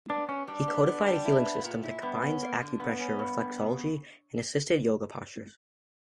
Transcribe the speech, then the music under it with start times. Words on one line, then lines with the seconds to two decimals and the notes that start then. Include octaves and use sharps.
He codified a healing system that combines acupressure, reflexology, and assisted yoga postures.
0.09 B3 D4
0.29 B3 C#4
0.48 G3 D4
0.68 B3
0.86 B3
1.06 G3
1.25 E4
1.45 B3
1.64 A#2
1.83 E4
2.02 G2 B3
2.22 C#4
2.42 A#3
2.61 D3
2.80 G2 B3
2.99 C#4
3.19 G2
3.39 G2
3.58 C#3